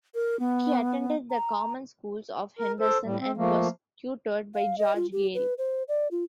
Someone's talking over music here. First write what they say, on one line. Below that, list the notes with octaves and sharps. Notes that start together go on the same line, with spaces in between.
He attended the common schools of Henderson, and was tutored by George Gayle.
A#4
B3
A#5
A#4
A4 C5
A2 G3
C4
F3 A3 A#3
F5
D#5
F4
G4
B4
C5
D5
F4